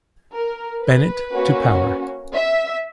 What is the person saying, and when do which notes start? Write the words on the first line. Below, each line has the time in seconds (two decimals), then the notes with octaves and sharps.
Bennett to power.
0.32 A#4
0.82 B4
1.33 A#3 C#4 F#4
2.34 E5